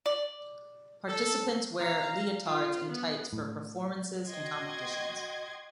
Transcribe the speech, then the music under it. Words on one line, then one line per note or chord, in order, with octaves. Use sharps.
Participants wear leotards and tights for performances and competitions.
D5
A4
F5 A#5
F4
B3
A2
F#4 D#5 G5 C6 G#6